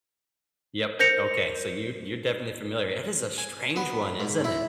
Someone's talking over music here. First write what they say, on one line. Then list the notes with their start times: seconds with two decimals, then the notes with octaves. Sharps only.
Yep, okay, so you you're definitely familiar. It is a strange one, isn't it?
0.99 A#4 C5 G6 A#6 C#7 F7
3.38 G#5
3.76 B3
4.20 G#2
4.44 E4